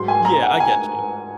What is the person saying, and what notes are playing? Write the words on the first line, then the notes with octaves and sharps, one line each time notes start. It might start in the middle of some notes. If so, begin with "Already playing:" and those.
Yeah, I get you.
Already playing: G#2 F#3 C6
G#5
A#5
F#5
G#5